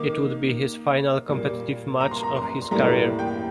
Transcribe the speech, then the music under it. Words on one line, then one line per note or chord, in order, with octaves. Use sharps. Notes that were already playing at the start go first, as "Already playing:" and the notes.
It would be his final competitive match of his career.
Already playing: D#3 A#3 D#4 D6
A#2 G3 A#3
A#5
C6
A#5
C6
A2 G3 A#3 A#5
G5